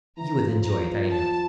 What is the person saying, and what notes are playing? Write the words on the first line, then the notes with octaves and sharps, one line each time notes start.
You would enjoy it, I know.
E3 A#5
F3
A#5
F3
A5